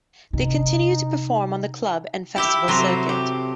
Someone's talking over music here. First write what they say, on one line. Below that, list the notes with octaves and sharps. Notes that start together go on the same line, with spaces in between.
They continue to perform on the club and festival circuit.
C3 D#4
E4 G4 E5
C3 F#3 A4 A#5 C6
G4